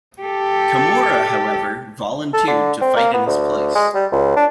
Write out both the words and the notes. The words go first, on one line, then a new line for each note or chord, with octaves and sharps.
Kimura, however, volunteered to fight in his place.
G4 A4
A4
D3
C4
A#3
B3
D2
G#3
G3
C#2
D4